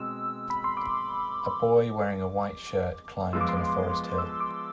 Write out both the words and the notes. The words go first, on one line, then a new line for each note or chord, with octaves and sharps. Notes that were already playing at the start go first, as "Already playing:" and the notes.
A boy wearing a white shirt climbs on a forest hill.
Already playing: B2 G#3 C4 E6
B5
C6
D6
F3 G#3 B3 F4 E6
D6
C6
D6
E6
D6